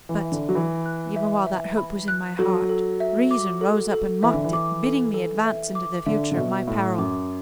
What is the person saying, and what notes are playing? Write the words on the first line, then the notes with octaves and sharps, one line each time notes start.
But, even while that hope was in my heart, reason rose up and mocked it, bidding me advance into the Future at my peril.
E3
E5
D3
F#3
E3 B5
F#6
E5
E5
B5
F#6
F#3 A4
A4
E5
D6
A4
A4
E3 E5
D3
E3
D6
A4
A4
E5
D6
D3 E5
D3
B2 E5
A2 B5
F#2 D6